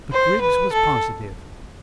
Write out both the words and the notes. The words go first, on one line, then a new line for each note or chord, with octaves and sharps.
But Griggs was positive.
C5
B4
A4